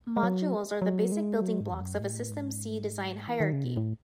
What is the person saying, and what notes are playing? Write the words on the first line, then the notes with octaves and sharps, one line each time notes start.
Modules are the basic building blocks of a SystemC design hierarchy.
G#3
F#3
F#3
G#3
F#3
G#2
E2
F#2
A2
G#2
E3
D#3
C#3
B2
A2